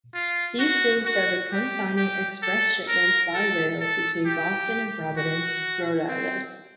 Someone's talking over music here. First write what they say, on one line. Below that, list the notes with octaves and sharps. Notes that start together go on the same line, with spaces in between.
He soon started consigning express shipments by rail between Boston and Providence, Rhode Island.
F4
F#4
F#4
G4
G4
A4
A#4
A4
A4
G4
F#4
C4